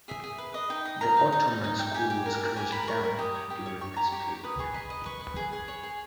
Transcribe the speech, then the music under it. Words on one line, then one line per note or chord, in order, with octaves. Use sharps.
The Ottoman school was closed down during this period.
G#4 E5
G#4
B4
D#5
D#4 G5
D#5
A#4 A#5
D#4
D#4
D#4
D#4
D#4 G5
G4 G#5
G4
A#4
A#4
G4 G#5
A#4 B5
A#4 C#6
A#4
G4 D#6
C#5
G4
C#5
G4 C#6
G4 A#5
G4 C#6
C#5
B4 D#6
G#4 C#6
D#5 B5
D#5
B4 C#6
B4
G#4
G#4
C#5
G#4